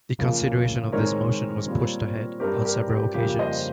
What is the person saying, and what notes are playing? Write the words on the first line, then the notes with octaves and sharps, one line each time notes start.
The consideration of this motion was pushed ahead on several occasions.
C#3 F3 A#3
G#2 D#3 G#3 C4 A#4 C#5
A#2 G3 C4
G2 G3 C4 G4 A#4
G4 A#4
G4
F2 C#3 G3 A#3 G4
C5 D#5